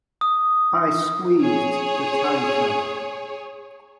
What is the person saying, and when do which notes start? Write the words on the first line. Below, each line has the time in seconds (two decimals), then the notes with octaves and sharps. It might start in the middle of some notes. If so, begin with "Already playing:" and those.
I squeezed the tighter.
0.21 D#6
1.41 G#4 C#5